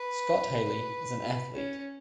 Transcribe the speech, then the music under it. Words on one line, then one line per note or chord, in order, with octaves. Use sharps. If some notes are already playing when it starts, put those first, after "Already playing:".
Scott Haley is an athlete.
Already playing: B4
C#4